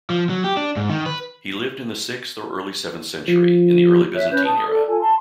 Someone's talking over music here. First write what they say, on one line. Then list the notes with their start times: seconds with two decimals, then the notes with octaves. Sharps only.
He lived in the sixth or early seventh century, in the early Byzantine era.
0.10 F3
0.30 F#3
0.44 G4
0.57 D4
0.76 G#2
0.90 D#3
1.06 B4
3.28 F3
4.14 C#5 E5 F#6
4.31 C#4 B4 F#6 G6
4.45 A5 D#6
4.66 A4 D5
4.87 F4 A4 G#5
5.00 A5 C6